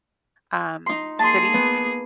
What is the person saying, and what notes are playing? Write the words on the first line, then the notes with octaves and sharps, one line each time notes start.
um, city.
D#4 C6
A#3 G#4 A5 C6
B3